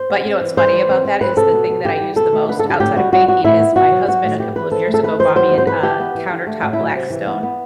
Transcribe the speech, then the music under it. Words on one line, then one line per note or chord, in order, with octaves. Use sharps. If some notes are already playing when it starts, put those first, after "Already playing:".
but you know what's funny about that is the thing that I use the most outside of baking is my husband a couple of years ago bought me an uh, a countertop Blackstone
Already playing: C5
B3
C4
E3
G3 C5
E3
C4
C4
C4 B4
C3 A4
B2
B2
D3 G4
G3
B2 A4
A3
D3 B4
A4
D3
G4
A2 G4
G3 F#4
G3 F#4
B3 F#4
A2 E4
B3
B2 F#4
F#3
F#3 F#4
A2
E3 G4
E3 B4
C4 A4
A3
A4
E3 B4
E3 C5
F#3 C5
C4
C5
E3 B4
E3 G4
B3
E3
D3
A3
A2 F#4
E4
F#3
C3
E3
B3
B3